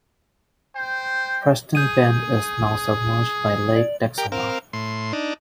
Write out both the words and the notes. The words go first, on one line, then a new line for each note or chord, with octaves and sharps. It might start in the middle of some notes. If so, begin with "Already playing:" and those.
Preston Bend is now submerged by Lake Texoma.
C5 G5
G#4 G6 D#7
D5
G4 A#4 G5
C4 A#4 F5
A2 C6
D4 D#4